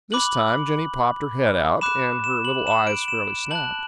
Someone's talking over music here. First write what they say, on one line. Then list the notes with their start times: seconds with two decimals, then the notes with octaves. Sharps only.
This time Jenny popped her head out, and her little eyes fairly snapped.
0.12 B5 D6 F#6 F#7
1.81 B5 D6 F#6 E7
2.24 E7
2.45 F#7
2.67 E7
2.87 D7
3.08 E7
3.51 A5 F#6 F#7